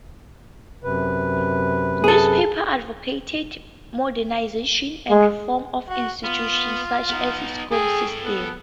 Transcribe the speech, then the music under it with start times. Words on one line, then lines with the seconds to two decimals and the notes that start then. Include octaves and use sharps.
Newspapers advocated modernization and reform of institutions such as the school system.
0.84 F#2 C3 B4
2.04 G#4 A4
5.10 G#3
5.89 F#4
6.24 B3 F4
7.09 B3 D#4
7.72 G#4 A4 G5
8.24 B3